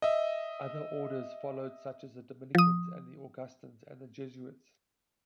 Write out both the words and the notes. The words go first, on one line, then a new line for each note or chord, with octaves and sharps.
Other orders followed such as the Dominicans, the Augustinians and the Jesuits.
D#5 E5
F3 D#6